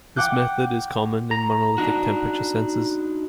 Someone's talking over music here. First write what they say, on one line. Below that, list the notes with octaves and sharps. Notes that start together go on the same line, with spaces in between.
This method is common in monolithic temperature sensors.
F#5 G5 D6 F#6 G6
A#5
D4 D#4 F#4